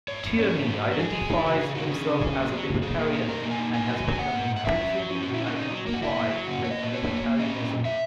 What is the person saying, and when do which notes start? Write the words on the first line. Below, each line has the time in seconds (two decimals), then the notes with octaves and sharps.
Tierney identifies himself as a libertarian and has become increasingly identified with libertarianism.
0.08 G#2 C#5
0.23 G#2
0.39 C#4
0.49 C#5
0.53 G#2 B4
0.69 F#3
0.84 F#3
0.99 G#3 G#4
1.15 G#3
1.30 D#4
1.45 C#3 F#4
1.61 C#3 G#4
1.75 D#4 F#4
1.91 C#4 G#4
2.06 C#3
2.21 C#4
2.36 F#3
2.52 F#3
2.67 C#3
2.82 B2 G#4
2.98 A#3
3.13 D#4
3.28 B2 A#4
3.43 A#3
3.51 G#5
3.59 D#4
3.74 A#3 G#5
3.89 F#3
4.04 F#3
4.13 G#5
4.19 A#3 F#5
4.35 G#2
4.50 G#2
4.57 F#5
4.65 C#4 E5
4.80 F#3
4.96 F#3
5.11 C#4
5.22 F#4
5.26 A#2
5.34 E4
5.41 C#4 D#4
5.57 D#4
5.71 F#3
5.87 A#3
5.94 F#4
6.02 A#3 E4
6.17 A#3
6.33 F#3
6.47 C#3 F#4
6.64 A#3 C#5
6.71 D#5
6.78 F#3 B4
6.94 A#3 C#5
7.09 F#3
7.24 A#3
7.39 C#4 D#5
7.55 A#2
7.70 A#2
7.85 A#2 E5